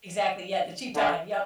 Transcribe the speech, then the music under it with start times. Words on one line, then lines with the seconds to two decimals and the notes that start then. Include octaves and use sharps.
Exactly, yeah, the cheap time yep.
0.96 D3